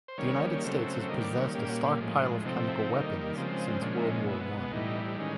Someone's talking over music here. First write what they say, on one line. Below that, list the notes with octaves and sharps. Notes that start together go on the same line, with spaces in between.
The United States has possessed a stockpile of chemical weapons since World War One.
C5
D#3 G3 A#3 C#4 C#5
C#3 F#3 A3 C4
D#3 G3 A#3 D#5
D5
C#5
A#2 G3 A#3 C#4 G4
G4
F#4
F4
A2 F3 G#3
D4
C3 F3 A3 C4 D#4
E4
D#3 G3 A#3 D#4
C#3 F3 G#3 C4
A#2 F3 G#3 C#4 D4
E4
D#4
B2 G#3 B3 E4
A2 E3 G3 D#4
D#3 G#3 C#4